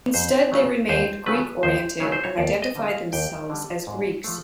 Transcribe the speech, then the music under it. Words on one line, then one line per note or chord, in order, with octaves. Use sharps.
Instead they remained Greek-oriented and identified themselves as Greeks.
F2 C5
C#3 F#3 A3
D#2 C5
C#3 F#3 A3 B4
D#2 C5
C#3 F#3 A3 C#5
C5
C#5
D#2 D5
D#5
D3 G3
F5
D#2 G5
D3 G3
G#2
F3 A3